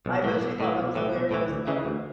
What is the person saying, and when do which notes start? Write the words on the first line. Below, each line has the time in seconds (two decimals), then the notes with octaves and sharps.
I bet she thought that was hilarious though.
0.06 B1
0.24 A2 E3
0.41 B1
0.60 A2 E3
0.78 B1
0.95 A2 E3
1.13 B1
1.31 A2 E3
1.49 D2
1.67 C#3 E3
1.85 D2